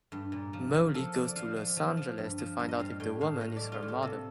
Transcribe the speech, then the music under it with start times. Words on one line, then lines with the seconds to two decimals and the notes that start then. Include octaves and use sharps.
Molly goes to Los Angeles to find out if the woman is her mother.
0.12 G2
0.32 A#2
0.53 F3
0.74 F3
0.94 F3 A4
1.15 F3 D5
1.36 F3 F5
1.56 F3
1.77 F3
1.97 F3
2.18 G2
2.38 F3
2.60 G2
2.69 D#5
2.79 G3 F5
3.00 A2 G5
3.21 A2 F5
3.41 A2 D#5
3.57 D5
3.62 G3
3.72 F4
3.82 A2
3.88 G4
4.02 C3 A4